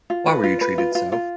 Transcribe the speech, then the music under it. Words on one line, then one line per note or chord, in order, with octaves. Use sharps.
Why were you treated so?
F4
B4
F4
B4
F4
F4
F4